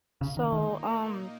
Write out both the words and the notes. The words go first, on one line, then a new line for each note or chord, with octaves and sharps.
so, um,
A#2 C#3 A#3 D#4
D#3
D#3